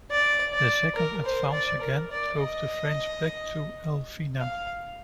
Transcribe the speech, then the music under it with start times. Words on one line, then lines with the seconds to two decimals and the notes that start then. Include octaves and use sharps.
The second advance again drove the French back through Elvina.
0.11 D5
0.54 D5
0.96 A#4
1.25 C5
1.53 D5
1.81 A#4
2.11 D5
2.39 D#5
4.39 F5